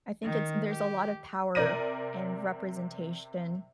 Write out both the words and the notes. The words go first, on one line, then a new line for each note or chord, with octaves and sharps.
I think it's there's a lot of power and representation,
D#3
G4
C3 A#4 D5 A#6 D#7